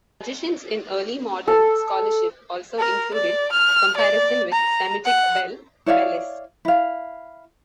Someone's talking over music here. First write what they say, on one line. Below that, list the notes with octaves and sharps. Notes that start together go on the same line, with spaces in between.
Suggestions in early modern scholarship also included comparison with Semitic Bel, Belus.
A4
A#4
D5
F6
D5
A#5
F#5
E4 C#5 D5 F5
E4 F5